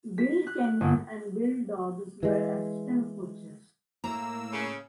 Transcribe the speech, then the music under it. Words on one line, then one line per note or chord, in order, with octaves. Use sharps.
Bill Kenyon and Bill Dobbs were assistant coaches.
B6
F#6
F#6
G1
E3 G#3
A2 A#3 A#5 E6
C#3